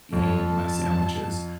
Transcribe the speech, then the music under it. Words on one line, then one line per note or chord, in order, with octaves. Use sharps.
eating my sandwiches?
F2 A4 C#5
A5